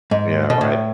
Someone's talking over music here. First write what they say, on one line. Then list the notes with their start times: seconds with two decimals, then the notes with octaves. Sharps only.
Yeah, right.
0.11 G#2
0.50 B2
0.61 A2